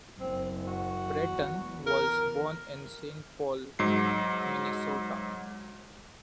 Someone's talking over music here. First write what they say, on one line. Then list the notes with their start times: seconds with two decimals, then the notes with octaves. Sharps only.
Bratton was born in Saint Paul, Minnesota.
0.20 F#1 C4
0.67 F#4
1.29 E2
1.87 A#4
3.79 G#2 F#3 C7